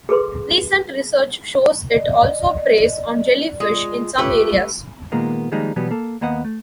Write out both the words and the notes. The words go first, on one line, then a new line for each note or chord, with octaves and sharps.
Recent research shows it also preys on jellyfish in some areas.
G#4 A4 B4 C6
D5 D#5
G#3 F4
A3 F4 G4 B4
A#2 D#3 G#3 A#3 B3
D#3 F3 G3 G#3 A#3 D#4
B2 E3 F#3 G3 B3
A#3 A4
D#2 A#3 B3 D#5 F#5
A3